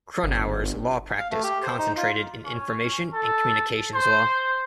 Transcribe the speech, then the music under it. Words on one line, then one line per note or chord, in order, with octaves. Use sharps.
Cronauer's law practice concentrated in information and communications law.
G1
F5
A3
G4
C5
D#4
F4
C#4
A4
C5